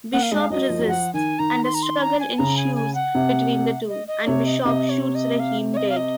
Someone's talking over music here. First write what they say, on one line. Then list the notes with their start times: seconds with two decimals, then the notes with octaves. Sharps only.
Bishop resists, and a struggle ensues between the two, and Bishop shoots Raheem dead.
0.13 A#3 F#5
0.23 F5
0.32 G#3 D#5
0.40 F5
0.50 F#3 D#5
0.69 F3
0.79 F#3
0.88 F3 F#5
1.14 D#3 G#5
1.39 D#3 A#5
1.64 C6
1.74 A#5
1.83 C6
2.02 A#5
2.20 G#5
2.38 C#3 A#5
2.57 G#5
2.76 G#5
2.95 F#5
3.15 C3
3.89 D#5
4.08 D#5
4.27 C3 C#5
4.46 D#5
4.64 C3 D#5
4.89 C#5
5.15 D#5
5.39 F5
5.73 C#5
5.77 D#5
5.89 F5
5.96 D#5